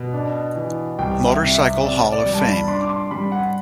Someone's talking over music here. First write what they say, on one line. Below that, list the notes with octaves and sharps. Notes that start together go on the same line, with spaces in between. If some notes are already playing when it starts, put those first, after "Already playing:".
Motorcycle Hall of Fame.
Already playing: B2
D4
E3
C2 G5
E5
C3
E5
C3 D5
D5
G3
A5
B5
D4 C6
D6
C6
G3 B5
F#5